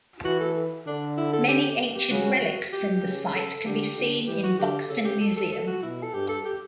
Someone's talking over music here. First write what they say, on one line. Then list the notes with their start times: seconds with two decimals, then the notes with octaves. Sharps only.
Many ancient relics from the site can be seen in Buxton Museum.
0.24 E3 F#4
0.40 A4
0.86 D3 D4
1.18 E4
1.33 A4
1.49 G4
1.95 G4
2.10 C#3 F#4
2.26 F#4
2.73 G4
3.04 C#3
3.35 A4
3.66 D3 G4
3.97 D3
4.28 E3 G4
4.43 F#4
4.58 D3 G4
4.89 C#3 A4
5.05 G4
5.21 A4
5.37 A4
5.52 A4
5.67 F#4
5.83 B2 E4
6.03 A4
6.14 G2 G4
6.29 A4
6.45 G4